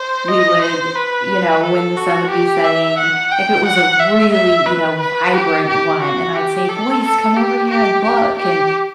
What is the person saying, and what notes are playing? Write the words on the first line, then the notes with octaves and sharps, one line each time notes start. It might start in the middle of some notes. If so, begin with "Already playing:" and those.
we would, you know, when the sun would be setting and if it was a really, you know, vibrant one and I'd say, "Boys, come over here and look," and
Already playing: C5
D#5
C5
B4
A4
F#4
G4
E5
F#5
G5
F#5
E5
E5
B4
B4
G4
G4
F#4
G4
A4
A4
G4
G4
G4
G4